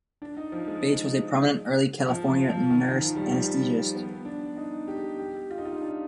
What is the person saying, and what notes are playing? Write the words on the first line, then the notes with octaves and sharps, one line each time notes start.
Bates was a prominent early California nurse anesthetist.
D4
D#4
F3
G#3
F3
F3
F3
D#3
D#3
F3
G3
F3
B3
D4
D#4
G4
G4
F4
D#4
F4
D4